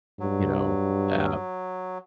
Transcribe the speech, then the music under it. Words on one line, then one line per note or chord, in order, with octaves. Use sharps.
you know, um
G2 F#3